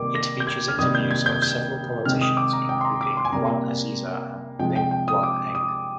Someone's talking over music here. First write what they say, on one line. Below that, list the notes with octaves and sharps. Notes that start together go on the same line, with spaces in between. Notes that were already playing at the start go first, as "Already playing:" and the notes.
It features interviews of several politicians including Wan Azizah and Lim Guan Eng.
Already playing: C3 D#3 G3 A#3 D6
A#6
G6
G#6
F6
C3 D#3 G3 A#3 D#6
G6
G#6
G6
G6
C3 D#3 G#3 F6
D#6
D6
A#5
G5
C6
A#5
D6
C6
G#5
C3 G3 A#3 A#5
C3 F3 G#3 G5
G5
G5
D#6
D6
D#6